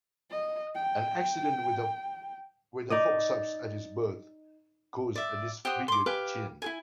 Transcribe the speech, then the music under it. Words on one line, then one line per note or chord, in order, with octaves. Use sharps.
An accident with a forceps at his birth caused a disfigured chin.
D#5
G5
D#4 D5 D#5
D5 E5
G4 C5 F#5 D#6
C6 D6
G4 B4 F5 G#5
E4 G#4 G#5